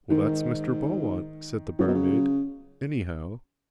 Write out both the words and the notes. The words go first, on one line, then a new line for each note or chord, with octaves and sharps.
"Well, that's Mr. Beaumont," said the barmaid, "--anyhow."
G#2 D#3
C#3 F#3
B2
C#3